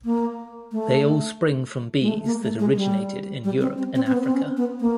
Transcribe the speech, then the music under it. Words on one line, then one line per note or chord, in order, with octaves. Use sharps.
They all spring from bees that originated in Europe and Africa.
A#3
A3
G#3
A3
A#3
A3
G#3
G3
G3
C4
C4
C4
C4
B3
C4
C#4
B3
A#3